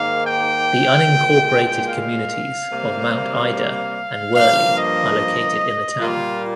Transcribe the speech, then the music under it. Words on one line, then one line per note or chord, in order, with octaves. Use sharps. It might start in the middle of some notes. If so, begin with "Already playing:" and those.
The unincorporated communities of Mount Ida and Werley are located in the town.
Already playing: G#2 D#3 A#3 F5
G5
A#2 G#3
F5
C3 G3 A#3
G2 F3 A#3 F5
D#5
A#2 G3 A#3 F4